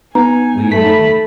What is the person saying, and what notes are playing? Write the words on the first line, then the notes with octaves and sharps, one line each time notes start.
William Egan.
B3 D#4 G#5 A#5
A3 B5 B6